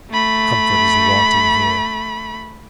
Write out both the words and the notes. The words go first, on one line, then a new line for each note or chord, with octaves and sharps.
Comfort is wanting here.
A3 B5